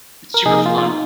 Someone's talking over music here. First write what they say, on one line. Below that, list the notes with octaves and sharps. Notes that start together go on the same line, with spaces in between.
it's super fun.
A#4
C3 F3 A#3 D#4 G#4
F4
F4
D#4